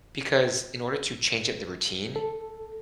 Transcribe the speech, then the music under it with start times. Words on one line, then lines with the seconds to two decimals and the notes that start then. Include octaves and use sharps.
Because in order to change up the routine,
2.16 A4